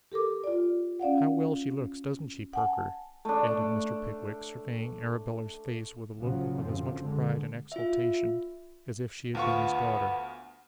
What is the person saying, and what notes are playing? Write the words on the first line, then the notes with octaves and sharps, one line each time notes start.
How well she looks, doesn't she, Perker?' added Mr. Pickwick, surveying Arabella's face with a look of as much pride and exultation, as if she had been his daughter.
G4 A4 A#4 D6
F4 D5
C#4 D5 F5 F#5
F#5 G#5 A5
A3 D4
A#1 A#2 C#3 F3 F#3
A#1 F#2 D3 F3 C4
D3 G#3
F4 E5
D2 B3 F4 C#6